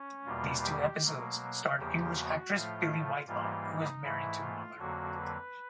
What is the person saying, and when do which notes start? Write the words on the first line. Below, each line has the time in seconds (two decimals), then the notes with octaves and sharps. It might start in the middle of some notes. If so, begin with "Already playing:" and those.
These two episodes starred English actress Billie Whitelaw, who was married to Muller.
Already playing: C#4
0.25 E2 B2 G3 A#3 F4
0.63 G4
1.02 B2 F#3 A#3
1.76 E2 C#3 F3 A#3 G4
2.15 F#4
2.51 A2 F3 A3 F4
3.27 G#2 E3 G3 A#3 F4
3.65 D#4
4.02 G#2 E3 A3 E4
4.40 F4
4.77 F2 D3 F#3 A#3 F#4
5.16 B4